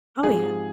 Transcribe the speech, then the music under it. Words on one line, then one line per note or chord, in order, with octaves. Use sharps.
Oh, yeah.
G#2 F3 C4 G4 G#4